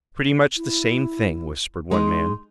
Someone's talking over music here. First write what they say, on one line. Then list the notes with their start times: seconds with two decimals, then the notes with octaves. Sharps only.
"Pretty much the same thing," whispered one man.
0.56 E4
1.91 G#3 D#4 C6